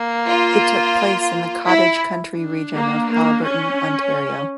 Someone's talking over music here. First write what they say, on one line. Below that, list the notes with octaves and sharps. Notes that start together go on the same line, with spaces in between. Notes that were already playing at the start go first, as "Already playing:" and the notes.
It took place in the cottage country region of Haliburton, Ontario.
Already playing: A#3
F4
E4
D4
A#3
A#3
C#4